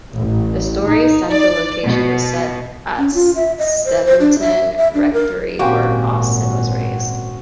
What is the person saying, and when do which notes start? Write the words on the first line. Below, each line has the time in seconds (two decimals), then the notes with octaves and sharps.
The story's central location was set at Steventon rectory where Austen was raised.
0.17 A1
0.88 D#4
1.31 D5
1.85 B2
2.98 C#4
3.14 F4
3.36 E5
3.58 D#5
3.85 C5
4.06 C5
4.20 D4
4.40 E5
4.78 E5
4.94 D4
5.13 A#4
5.59 G#1 A#2 A#3 C4 C#4 F#4 G4